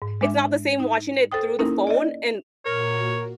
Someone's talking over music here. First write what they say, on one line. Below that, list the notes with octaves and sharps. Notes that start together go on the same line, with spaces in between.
it's not the same watching it through the phone and
G#2
G#3 D4 E5
D#4
A4 C5 G5 D#6
A#3 C#4 D#4 E4 A#4
D5 D#5
A#2 A#3 F#4 A#4 C#5